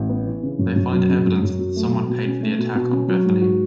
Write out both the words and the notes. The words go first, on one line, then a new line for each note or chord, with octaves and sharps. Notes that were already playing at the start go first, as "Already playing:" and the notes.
They find evidence that someone paid for the attack on Bethany.
Already playing: A1
B3
E3
C#3
F#2
F#2
F#3
C#3
F#2
F#2
F#3
A3
B2
B2
C#4
A3
B2
B2
C#4
F#3
G#2
F#4